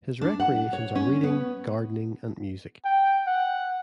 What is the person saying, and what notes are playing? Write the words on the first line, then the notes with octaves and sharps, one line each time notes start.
His recreations are reading, gardening and music.
D4
F#5
C#5
C#4
B3
G5
F#5